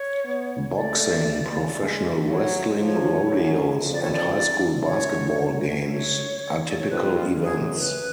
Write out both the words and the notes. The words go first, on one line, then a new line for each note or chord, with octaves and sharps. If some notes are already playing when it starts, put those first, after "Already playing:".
Boxing, professional wrestling, rodeos, and high school basketball games are typical events.
Already playing: C#5
B3
A3 D5
G#3
D5
F#3 C#5
F3 C#5
F#2
F2
D5
C#5
D5
F#2 C#5
C#5
D5
C#5
F2 B4
B4
F4
F#2 G#4
B4